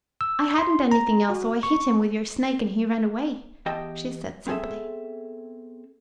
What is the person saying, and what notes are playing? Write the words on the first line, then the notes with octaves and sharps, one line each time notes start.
"I hadn't anything else, so I hit him with your snake and he ran away," she said simply.
E6
C6
A#5
F#4
C#6
E2 G4 D#5 G5 A5
B3 C4 G#4 A4 E5